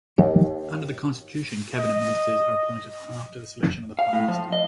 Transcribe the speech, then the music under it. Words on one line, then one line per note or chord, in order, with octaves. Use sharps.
Under the constitution, Cabinet ministers are appointed after the selection of the Prime Minister.
D#2
D#5
F5
A2
F3
D#5